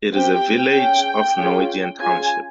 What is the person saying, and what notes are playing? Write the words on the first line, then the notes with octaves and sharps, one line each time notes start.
It is a village of Norwegian Township.
C4 G4 G5
C#4 G#4
C#4 F4 G#4
C#4 F4 G#4 G#5